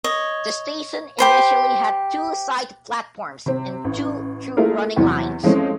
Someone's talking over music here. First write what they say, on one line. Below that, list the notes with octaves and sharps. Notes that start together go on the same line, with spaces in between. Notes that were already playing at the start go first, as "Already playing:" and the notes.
The station initially had two side platforms and two through running lines.
C#5 D#5
G4 C5 B5
C3 C4
A1
A3 A#3 E4 F4 G#4 A#4
E2 C3 E3 F#3
E3 F3 G#3 A3 C4 C#4